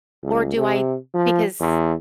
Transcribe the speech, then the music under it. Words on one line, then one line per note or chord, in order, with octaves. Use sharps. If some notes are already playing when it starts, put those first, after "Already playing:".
or do I because
C#2
C3
F3
E2